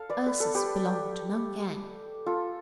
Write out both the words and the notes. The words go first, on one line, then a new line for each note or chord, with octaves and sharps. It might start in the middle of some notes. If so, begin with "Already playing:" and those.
Ursus belonged to no gang.
Already playing: A4 F5
B4 D5
B4
A4
G4 B4
F4 A4